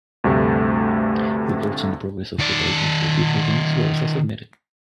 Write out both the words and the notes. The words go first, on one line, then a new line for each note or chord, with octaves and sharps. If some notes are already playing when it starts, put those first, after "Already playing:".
Reports on the progress of preparations for future Games were also submitted.
D2 G2 C3 A3
D#3 D5